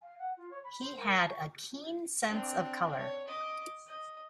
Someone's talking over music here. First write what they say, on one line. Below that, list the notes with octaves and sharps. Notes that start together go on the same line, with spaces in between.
He had a keen sense of color.
F5
F#5
F4
C#5
B5
C5
A#4
A#5
C#6
C4 D4
C#5
D#5 D6
D#5